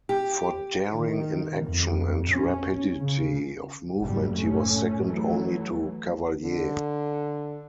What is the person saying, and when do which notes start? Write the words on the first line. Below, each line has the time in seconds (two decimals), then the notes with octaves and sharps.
For daring in action and rapidity of movement he was second only to Cavalier.
0.09 G4
0.93 D#3
1.67 F2
2.32 C#4
2.97 C#3
4.01 F#1 G#2 B2 G3
4.35 A2 A3 C#4
5.06 E3 F#3 A3
6.43 D3